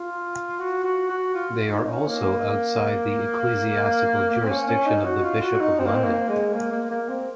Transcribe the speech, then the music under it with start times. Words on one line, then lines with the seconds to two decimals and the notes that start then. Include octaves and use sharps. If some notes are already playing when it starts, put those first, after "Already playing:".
They are also outside the ecclesiastical jurisdiction of the Bishop of London.
Already playing: F4
0.60 F#4
0.84 F#4
1.09 F#4
1.34 F4
1.71 D#4
1.90 C#4
2.08 A#3
4.31 A#3
4.45 C4
4.49 C#4
4.68 C#4
4.86 D#4
5.05 F#4
5.23 F4
5.42 F#4
5.61 D#4
5.79 C4
5.87 A#3
5.96 C4
6.05 A#3
6.29 G#3
6.53 A#3
6.72 A#3
6.91 A#3
7.09 C4